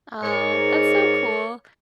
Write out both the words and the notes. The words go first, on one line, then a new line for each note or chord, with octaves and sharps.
Oh, that's so cool.
G#2 A#4 C#5 D5